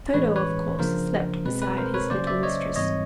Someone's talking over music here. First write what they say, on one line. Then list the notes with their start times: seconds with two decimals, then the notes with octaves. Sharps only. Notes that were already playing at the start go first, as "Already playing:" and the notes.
Toto, of course, slept beside his little mistress.
0.14 A2 E3 G#3 C#4 B4 C#5
0.36 B4 C#5
0.79 C#3 F3 A#3 D4 A#4 C5
1.44 B2 G#3 C4 B4
1.62 B4
1.78 A#4 C5
1.94 B4 C#5
2.10 C#3 F#3 A#3 C#4 C5 D5
2.27 D5 E5
2.43 C#5 D#5
2.76 G#2 E3 G3 C4 C#5 D#5